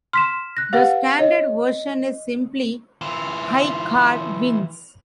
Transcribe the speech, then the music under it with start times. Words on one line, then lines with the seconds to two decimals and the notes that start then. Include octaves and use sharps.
The standard version is simply high card wins.
0.13 C6 F6 B6 E7
0.57 F#6 A#6
0.73 G4 B4 F5 F#5
1.19 C#5 D#5
3.01 E3 F4